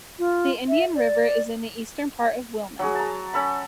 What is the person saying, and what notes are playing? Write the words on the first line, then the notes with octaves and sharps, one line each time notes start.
The Indian River is in the eastern part of Wilna.
F4
E5
D5
F#3 F#4 G#4
A5 A#5
C#4 A4 B5